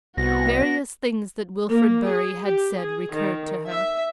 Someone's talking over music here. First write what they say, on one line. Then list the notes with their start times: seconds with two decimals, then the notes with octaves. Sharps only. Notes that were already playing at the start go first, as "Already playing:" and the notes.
Various things that Wilfrid Bury had said recurred to her.
0.17 C2 B3 F#4 A#6
1.68 A#3
2.05 G#4
2.41 G4
2.74 G#4
3.11 D#3
3.67 E5